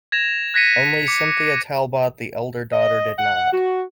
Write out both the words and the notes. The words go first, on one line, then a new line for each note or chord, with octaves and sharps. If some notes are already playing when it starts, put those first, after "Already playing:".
Only Cynthia Talbot, the elder daughter, did not.
G#6 A#6 E7 F7
F#6 G#6 A#6 B6 C#7 D#7
D6 C#7
D#5
F#5
F#4